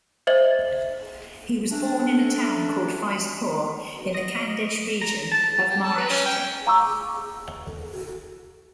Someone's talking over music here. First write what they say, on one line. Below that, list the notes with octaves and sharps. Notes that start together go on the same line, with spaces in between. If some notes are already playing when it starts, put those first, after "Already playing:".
He was born in a town called Faizpur in the Khandesh region of Maharashtra.
C5 D#5 E5 F#7
A3 C#4 D4
D#5
A#5
A5
G4
A5
B4
C#4
G5
F5 A#5 C#6 D6 E6